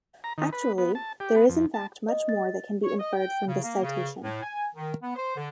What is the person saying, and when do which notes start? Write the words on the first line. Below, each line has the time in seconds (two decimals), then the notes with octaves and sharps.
Actually there is in fact much more that can be inferred from this citation.
0.24 A#5
0.38 D#3
0.53 B4
0.78 B3
0.95 A5
1.20 G4
1.36 B3
1.49 F2
1.74 A5
2.09 D#5
2.29 A6
2.84 C#5
2.98 D#5
3.13 G5
3.47 C#3
3.63 A#3
3.83 C#3
4.23 A2
4.43 G#5
4.76 D#3
5.02 B3
5.16 C5
5.36 D3